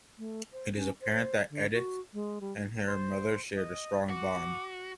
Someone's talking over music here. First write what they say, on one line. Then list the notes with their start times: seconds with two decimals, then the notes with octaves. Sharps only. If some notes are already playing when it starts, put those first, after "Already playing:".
It is apparent that Edith and her mother shared a strong bond.
0.18 A3
0.52 C5
0.76 C#4
1.01 C5
1.50 D3
1.73 F#4
2.13 G#3
2.41 G3
2.86 C5
3.56 D#5
4.10 F#4 D6